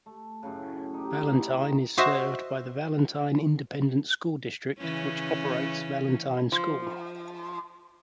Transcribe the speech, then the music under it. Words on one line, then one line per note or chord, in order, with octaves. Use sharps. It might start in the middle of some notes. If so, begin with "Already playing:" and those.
Valentine is served by the Valentine Independent School District which operates Valentine School.
A3
F#2 A2 C#3
D#4 G4
E3
D#3
F#4 C5 D#5 E5
C#3 E3 C#4
F3